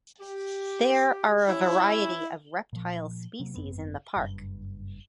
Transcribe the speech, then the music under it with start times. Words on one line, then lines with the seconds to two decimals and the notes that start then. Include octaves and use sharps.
There are a variety of reptile species in the park.
0.21 G4
1.48 C#4 E4 G4 C#5
2.73 A#2 F3
3.40 C3 F#3 A#3
3.54 G#1 F#2 B3 C4
4.16 F#1 G2